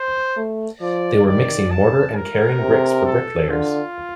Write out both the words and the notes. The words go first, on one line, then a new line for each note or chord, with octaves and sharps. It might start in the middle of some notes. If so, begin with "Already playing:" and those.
They were mixing mortar and carrying bricks for bricklayers.
Already playing: C5
A3
F3 D5
D#3 D5
A5
A#4
C3
A4
D3 F4